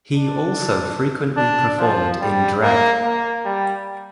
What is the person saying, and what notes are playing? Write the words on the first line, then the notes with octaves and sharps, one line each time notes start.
He also frequently performed in drag.
D4
D4
F3
G3
A#3
A#3
G3